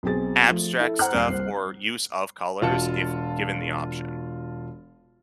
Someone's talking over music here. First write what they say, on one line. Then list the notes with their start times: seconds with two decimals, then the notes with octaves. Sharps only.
abstract stuff or use of colors if given the option.
0.03 B1 B2 C4 G#4 A6
0.48 F3 A3
0.80 E4 A4
0.99 C5 F#5 A#5 F6 F#6
1.14 D#1 C7
1.28 C2 C5
2.62 E1 F4 F#4 A5 C#7